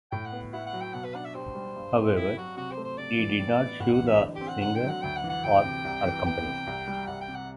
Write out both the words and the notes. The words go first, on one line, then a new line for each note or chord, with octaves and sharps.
However, he did not sue the singer or her companies.
A2 G5
F#5
B3
E4 F#5
F#5
F#3
G5
B2 F#5
B4
D4 F#5
E5
G4 C5
G3
G2
C4
E4 G4
F#3 F#4
C3 F#4
C5
A3
C5
C3 D5
E3
A2
B3
A2 F#5
F#5
E3
E5
D3
G4
C4
F#5
D3 F#5
G5
F#3
F#5
D2 G5
F#5
E3
F#5
D2 G5
C3
C2
E3
B3 G5
C3
C2
G3
C2 F#5
G5
C3
F#5